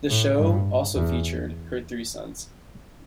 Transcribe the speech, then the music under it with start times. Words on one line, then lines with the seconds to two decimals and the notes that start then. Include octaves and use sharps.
The show also featured her three sons.
0.10 A2
0.38 G2
0.95 E2